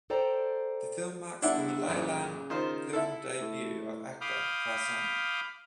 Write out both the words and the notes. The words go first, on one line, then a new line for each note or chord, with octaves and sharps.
The film marks the Malayalam film debut of actor Prasanna.
A4 C5 D5 G5 A#5
G1 D4 E4 F#5
A1 F#2 A#2 C#3
D#3 F4 C5
E4 A4
A2
F5 B5 D6 D#6 F6 G6